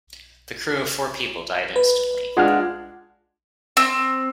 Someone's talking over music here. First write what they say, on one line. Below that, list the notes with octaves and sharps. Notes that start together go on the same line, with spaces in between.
The crew of four people died instantly.
B4
G#3 D4 F4 F#5 F6
C4